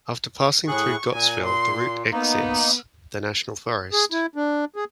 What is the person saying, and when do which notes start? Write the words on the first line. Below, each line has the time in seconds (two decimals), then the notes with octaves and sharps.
After passing through Gottsville, the route exits the national forest.
0.68 A2 G#4 C#6 F#6
1.13 A#2 G#5
1.45 C6
2.12 A#3 B3 D#4
3.93 G#4
4.12 E4
4.36 D4
4.76 G#4